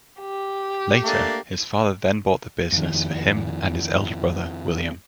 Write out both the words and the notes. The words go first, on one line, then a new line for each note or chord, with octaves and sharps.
Later, his father then bought the business for him and his elder brother, William.
G4
A3 A#3 D4
F2 D#3